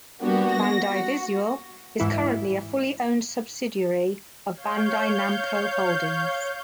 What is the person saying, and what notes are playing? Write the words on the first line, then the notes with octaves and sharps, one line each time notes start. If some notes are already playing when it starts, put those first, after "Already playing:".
Bandai Visual is currently a fully owned subsidiary of Bandai Namco Holdings.
G3 A#3 B3 D4 F#4 G4
A#6
F#4
G#2 E3 E4
C#5 F5 G6